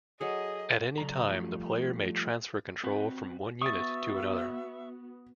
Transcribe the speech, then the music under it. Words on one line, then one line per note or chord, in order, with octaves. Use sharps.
At any time, the player may transfer control from one unit to another.
F#3 G#4 A4 D#5
C#3 F#3 A4 D5 A#5
F3 G3 A3
C4 F#4 B4
B3 F#4 E5 C#6 D#6 A6